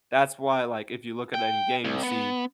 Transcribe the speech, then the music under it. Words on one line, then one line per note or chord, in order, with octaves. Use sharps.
That's why, like, if you look at any game, you see
G5
C2
B3